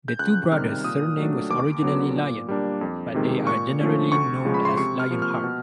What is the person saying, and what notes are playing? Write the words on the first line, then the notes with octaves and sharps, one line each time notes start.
The two brothers' surname was originally Lion, but they are generally known as Lionheart.
G6
C#2 F#6
C3 D#3 G3 F6
A#2 D#6
F#3 A3 D4
D#2 D6
D3 F#3 B3
A#2
G3 A#3 D4
F2
C3 D#3 G#3
A#2 C#6
F3 A3 C#4
D2 C#6
C#3 F3 G#3
B5
C6
C3 C#6
F6
F3 A#3
F6
B2